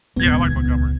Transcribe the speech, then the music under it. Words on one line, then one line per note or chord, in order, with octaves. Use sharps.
Yeah, I like Montgomery.
D#1 C#2 B3 G#6